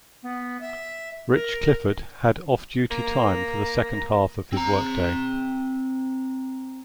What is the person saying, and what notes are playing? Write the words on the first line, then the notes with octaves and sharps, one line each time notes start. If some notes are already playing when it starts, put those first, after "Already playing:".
Rich Clifford had off-duty time for the second half of his work day.
B3
E5
A#4
A#3 A#5
C4 A#5